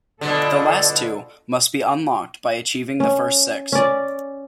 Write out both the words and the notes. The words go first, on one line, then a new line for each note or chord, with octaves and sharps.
The last two must be unlocked by achieving the first six.
B2 D3 F4 A4 D5
C#4
C#4 D5